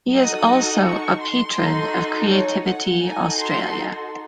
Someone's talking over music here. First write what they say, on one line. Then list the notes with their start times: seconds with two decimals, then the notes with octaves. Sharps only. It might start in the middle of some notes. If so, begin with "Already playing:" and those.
He is also a Patron of Creativity Australia.
0.12 D#4 F#4 A4 D#6
0.85 C#6
1.21 C6
1.58 D#4 F#4 A4
2.30 C#5
2.66 F#5
3.01 D#4 F#4 A4 G#5
3.38 C6